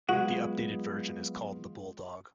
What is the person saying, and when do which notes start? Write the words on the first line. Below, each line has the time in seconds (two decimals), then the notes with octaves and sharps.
The updated version is called the Bulldog.
0.09 F#3 G#3 B3 F4 F#4 B4